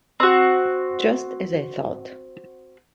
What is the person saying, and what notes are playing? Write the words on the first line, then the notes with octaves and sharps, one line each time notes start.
Just as I thought.
C4 F#4